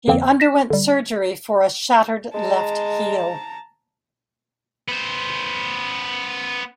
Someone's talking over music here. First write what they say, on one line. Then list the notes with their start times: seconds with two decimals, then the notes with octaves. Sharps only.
He underwent surgery for a shattered left heel.
0.08 F2 D3 F3 A#3 C4
0.40 A#6 B6 E7
0.70 D3 G3
2.34 G#3 A5 A#5
4.88 B3 C5